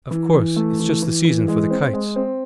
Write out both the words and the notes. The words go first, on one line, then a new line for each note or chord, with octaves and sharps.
Of course, it's just the season for the kites.
E3
E3
A3
E3
E3
E3
G#3
C4
G#3
C4